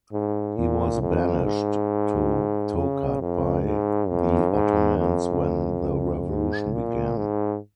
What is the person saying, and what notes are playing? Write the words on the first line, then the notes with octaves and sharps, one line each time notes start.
He was banished to Tokat by the Ottomans when the Revolution began.
G#2
A#2
F2
G#2
C#3
F2
G#2
F2
G#2
F2
G#2
A#2
G#2